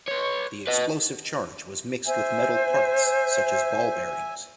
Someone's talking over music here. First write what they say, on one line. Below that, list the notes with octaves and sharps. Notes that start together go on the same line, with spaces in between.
The explosive charge was mixed with metal parts such as ball bearings.
B4 C#5
B4 D#5
C5 E5 G#5